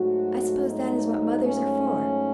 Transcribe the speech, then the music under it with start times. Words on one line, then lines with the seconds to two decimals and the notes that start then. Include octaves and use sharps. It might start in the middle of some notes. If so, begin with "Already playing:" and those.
"I suppose that is what mothers are for!"
Already playing: G#2 F#3 A3 F#4
0.66 D#4
1.44 C#4